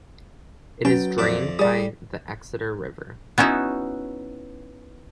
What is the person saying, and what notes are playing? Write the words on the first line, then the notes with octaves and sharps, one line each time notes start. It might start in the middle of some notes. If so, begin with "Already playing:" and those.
It is drained by the Exeter River.
F#3 C#4 B4 G5 A6
F2 D5 E5
G3 G#4 D5 D#6
B3 C#4 D#4 E4 F#4